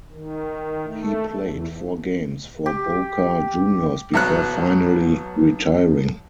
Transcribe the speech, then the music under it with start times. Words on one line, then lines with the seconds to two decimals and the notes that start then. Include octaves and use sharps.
He played four games for Boca Juniors before finally retiring.
0.12 D#3
0.87 A3
1.42 E2
2.66 G4
4.14 B1 F#3 B3 F#6